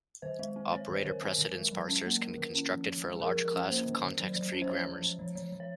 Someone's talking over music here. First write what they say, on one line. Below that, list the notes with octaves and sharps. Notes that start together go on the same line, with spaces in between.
Operator-precedence parsers can be constructed for a large class of context-free grammars.
D#3 C5
G#3
C4
C4 C#5
D#3 C5
D#3 A#4
C4 A#4
D#3
G#3
F#3
C#4
A#3
A#3
D#3
C#4
F3
F3
G#3
G#4
F3 A#4
F3
A#4
C#4
A#3 C5
D#3
D#3
F#3
F#3
C#4
C5
F3 C#5
F3
F3
F3
F3
F3
C#5